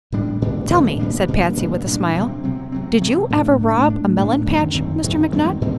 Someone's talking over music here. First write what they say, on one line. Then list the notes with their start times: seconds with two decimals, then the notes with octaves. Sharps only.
"Tell me," said Patsy, with a smile, "did you ever rob a melon-patch, Mr. McNutt?"
0.12 A2 G3 D4
0.42 A2 G3 D4
0.70 A2 G3 D4
0.99 A#2 G3 A#3 D4
1.28 A#2 G3 A#3 D4
1.57 A#2 G3 A#3 D4
1.86 A#2 G3 A#3 D4
2.15 C3 F#3 C4
2.43 C3 F#3 C4
2.72 C3 F#3 C4
3.01 C3 F#3 C4
3.30 A2 A3 D4
3.59 A2 A3 D4
3.88 A2 A3 D4
4.16 A2 A3 D4
4.46 F#2 D#3 F#3 C4
4.75 F#2 D#3 F#3 C4
5.04 F#2 D#3 F#3 C4
5.32 F#2 D#3 F#3 C4
5.62 A2 G3 C4